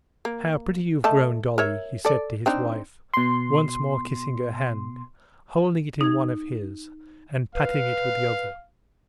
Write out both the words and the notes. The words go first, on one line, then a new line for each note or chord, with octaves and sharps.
"How pretty you've grown, Dolly," he said to his wife, once more kissing her hand, holding it in one of his, and patting it with the other.
A#3
A3 D#5 A5
A#4 C#5 E5
A4 D5
C4 D4 D#4
B2 C6
D#4 G#6
B4 F5